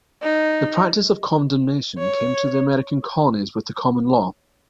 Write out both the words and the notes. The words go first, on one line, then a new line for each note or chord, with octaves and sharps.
The practice of condemnation came to the American colonies with the common law.
D#4
C#5